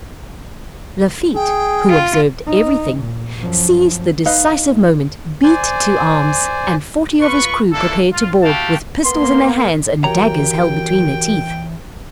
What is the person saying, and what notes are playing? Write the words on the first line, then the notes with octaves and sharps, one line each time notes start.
Lafitte, who observed every thing, seized the decisive moment, beat to arms, and forty of his crew prepared to board, with pistols in their hands and daggers held between their teeth.
G#4 G5
F4
D#4
A#2
F#2 F3
D#4 B4 D#5 F5
C5 D5 G#5
F4 B4 C#6
A3 A#3 D4 E4 A4
F4
E4 F#4 G4 F5 G5 A5
A#3 B3 C6
E3 F#4 G4 A#4 C#5 G5 A#5